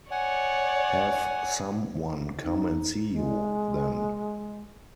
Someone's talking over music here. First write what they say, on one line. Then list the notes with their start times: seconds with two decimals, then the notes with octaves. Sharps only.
Have some one come and see you, then.
0.11 C#5 D5 F#5 G#5
2.43 D#4
3.10 G#3